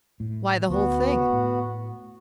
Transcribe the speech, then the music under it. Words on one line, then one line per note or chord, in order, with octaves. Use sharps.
Why, the whole thing!
A2
D2 B3 F#4
A2